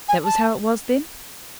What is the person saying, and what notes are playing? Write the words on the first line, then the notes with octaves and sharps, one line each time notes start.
'That was how it was, then?'
G#5
A5